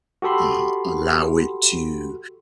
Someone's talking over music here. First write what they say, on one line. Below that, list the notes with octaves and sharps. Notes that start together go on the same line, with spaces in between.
uh, allow it to,
F#4 G4 A4 B5 C6